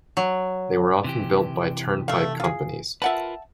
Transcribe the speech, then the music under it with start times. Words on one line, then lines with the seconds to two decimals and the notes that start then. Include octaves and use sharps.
They were often built by turnpike companies.
0.17 F#3
1.04 C3 E3 G4
2.08 A3 F5
2.40 F4 G#4
3.02 F4 A#4 B4 E5 F#5 A5